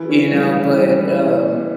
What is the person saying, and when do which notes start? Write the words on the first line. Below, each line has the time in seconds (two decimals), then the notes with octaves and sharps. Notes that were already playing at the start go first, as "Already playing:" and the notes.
You know, but, um
Already playing: E3
0.09 C#4
0.32 G3
0.55 E3
0.77 G3
0.99 E3